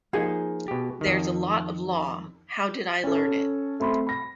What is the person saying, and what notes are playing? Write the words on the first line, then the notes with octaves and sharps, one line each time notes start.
There's a lot of law! How did I learn it?
F3 A#3 D#4 G#4
B2 G4
F2 D#3
C#4 A4
A3 C4 B5 C6
B5 A#6